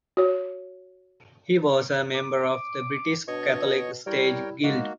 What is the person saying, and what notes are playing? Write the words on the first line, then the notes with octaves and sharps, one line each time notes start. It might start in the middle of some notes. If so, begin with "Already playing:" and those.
He was a member of the British Catholic Stage Guild.
F#4 C#5
D6
B2 D4 C#5 D#5 C#6
G3 E4 A#4 C#5 G5
G#3 A#3 D#4 F#4